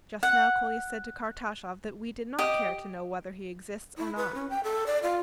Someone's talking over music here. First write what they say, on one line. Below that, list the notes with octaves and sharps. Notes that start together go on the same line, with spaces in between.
Just now Kolya said to Kartashov that we did not care to know whether he exists or not.
F#5
G4 D#5
E4
B4
C#4
G5
A4
D5
F4